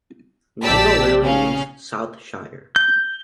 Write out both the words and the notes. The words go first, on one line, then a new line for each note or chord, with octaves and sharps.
Nango literally means "south shire".
A#1 G4 D5 A5 E6 B6
C#3 C#4 F5
G6